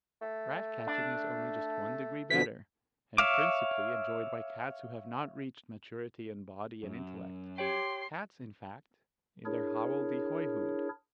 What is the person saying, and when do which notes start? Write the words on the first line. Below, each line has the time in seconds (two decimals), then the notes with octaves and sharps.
Rat-catching is only just one degree better, and principally enjoyed by cats who have not reached maturity in body and intellect--cats, in fact, in their hobble-de-hoy-hood.
0.22 A3
0.87 D4
2.30 F2 B2 D3 B6
3.18 C#5 E5 F5 D6
6.83 F#2
7.58 G4 C#5 G5 C6
9.45 D4 E4 G#4 A#4 C#5